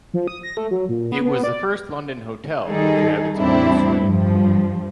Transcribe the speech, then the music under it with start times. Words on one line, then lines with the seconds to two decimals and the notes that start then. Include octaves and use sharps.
It was the first London hotel to have its own swimming pool.
0.14 F3
0.28 D#6
0.43 A#6
0.57 A3
0.71 F#3
0.89 A#2
1.12 B3
1.25 B3
1.44 D5
2.67 D#3 G3 D#4 G#4 A4
3.39 E2 A2 G3 C4 D4 E4
4.02 G2 F3